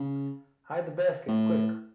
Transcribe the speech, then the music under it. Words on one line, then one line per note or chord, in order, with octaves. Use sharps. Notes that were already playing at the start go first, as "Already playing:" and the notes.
Hide the basket, quick!
Already playing: C#3
A2